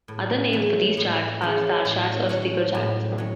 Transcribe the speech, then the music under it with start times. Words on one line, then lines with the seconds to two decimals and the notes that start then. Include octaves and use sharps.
Other names for these charts are star charts or sticker charts.
0.08 A2
0.53 E3 G#3 C#4
0.97 A2
1.41 E3 G#3 C#4
1.85 A2
2.29 F#3 C#4
2.75 A2
3.18 F#3 C#4